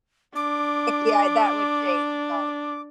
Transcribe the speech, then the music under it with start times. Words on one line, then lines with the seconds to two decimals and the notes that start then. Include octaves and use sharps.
yeah, that would change, but
0.36 D4 D6